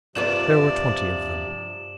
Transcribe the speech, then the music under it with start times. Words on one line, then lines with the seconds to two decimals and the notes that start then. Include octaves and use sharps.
There were twenty of them.
0.15 G2 C3 F3 F4 B4 D5 E7 F#7